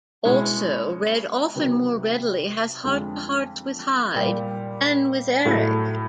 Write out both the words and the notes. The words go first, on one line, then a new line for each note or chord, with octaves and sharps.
Also, Red often more readily has heart-to-hearts with Hyde than with Eric.
B2 G#3 C#4 E4
C3 D#3 F#3 B3
F2 D3 F3 G#3
A#2 G3 A#3
A2 F#3 A3